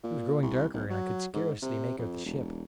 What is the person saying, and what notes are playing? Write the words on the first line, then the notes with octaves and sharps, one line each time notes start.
It was growing darker, and I could scarcely make out the ship.
A#2
C2
B1
F#3
G#2
C3
F2
E1